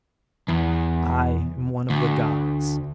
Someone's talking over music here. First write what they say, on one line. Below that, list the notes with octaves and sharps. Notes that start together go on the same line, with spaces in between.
I am one of the gods.
E2
D2